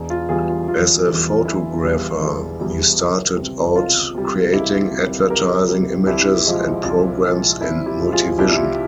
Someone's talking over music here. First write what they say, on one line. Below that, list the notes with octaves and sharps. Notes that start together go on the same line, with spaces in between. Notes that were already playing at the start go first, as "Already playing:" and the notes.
As a photographer, he started out creating advertising images and programs in multivision.
Already playing: E1
F4
E2 E3 G3 F4 G#4
F4
E1 F4
E2 E3 G3
E1 E4
E2 E3 G3
E1
E2 E3 G3
C#2
C3 G3
C#2 F4
C3 G3
C#2 E4 G4
C3 G3
C#2 G4 A#4
C3 G3
C2 E4 G4
A#2 F3 G#3
C2 F4
A#2 F3 G#3
C2 E4
E4 G4
A#2 F3 G#3
F4 G#4
C2 E4 G4
E4
F4